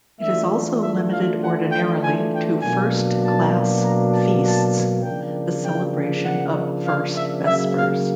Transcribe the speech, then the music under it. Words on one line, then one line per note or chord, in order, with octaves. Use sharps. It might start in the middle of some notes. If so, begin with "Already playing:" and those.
It also limited ordinarily to First-Class Feasts the celebration of First Vespers.
E3 A3 D4 F4 E5
E5
F5
F#5
G5
G#5
G5
B2 F#3 A#3 D4 G#5
A5
A#5
A5
A5
C#3 F3 A#3 D4 G5
G5
F#5
F5
E5
C#3 F#3 A#3 E5
F5